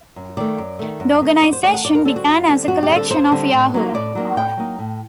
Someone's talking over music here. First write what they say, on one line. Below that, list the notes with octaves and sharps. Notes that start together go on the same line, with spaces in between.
The organization began as a collection of Yahoo!
F#2
D#3 A3 D5
F#2
D#3 A3
F#2
D#3 A3
F#2 D5
C5
D#3 A3 D5
F#5
F#2 D5
A#4
D3 G3 C4 A4
F#4
F#2
D3 G3 C4
F#2 F#4
G4
D3 G3 C4
A4
F#2 C5
D3 G3 C4
A2
F#3 A#3 D#4
A2 D5
F#3 A#3 D#4
A2 G5
F#3 A#3 D#4
A2